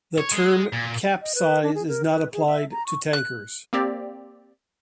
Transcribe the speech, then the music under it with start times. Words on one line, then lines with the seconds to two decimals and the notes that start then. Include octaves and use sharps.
The term "capesize" is not applied to tankers.
0.18 C#5
0.32 G#3
0.73 A#2
1.22 D#5
1.35 B4
1.63 D4
1.75 G#4
1.88 A#4
2.11 B4
2.33 G#4
2.47 E5
2.71 A#5
2.87 C#6
3.13 F#6
3.73 A#3 C4 G4 D5